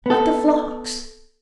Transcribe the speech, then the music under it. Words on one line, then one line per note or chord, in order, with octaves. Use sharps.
"But the flocks!"
B3 A4